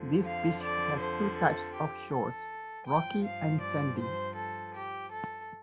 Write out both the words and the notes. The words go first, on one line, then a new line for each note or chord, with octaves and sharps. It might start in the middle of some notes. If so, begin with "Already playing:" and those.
This beach has two types of shores, rocky and sandy.
Already playing: F2 D3 F3
F5
D5
C5
A4
G4
A4
G2 F3 G5
F5
D5
C5
A4
G4
A4